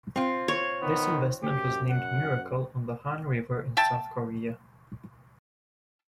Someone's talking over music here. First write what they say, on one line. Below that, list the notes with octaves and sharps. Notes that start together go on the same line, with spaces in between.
This investment was named Miracle on the Han River in South Korea.
C4 F4
C#5
D#3 B3
F#2 G4
F#5
E5 G5 A5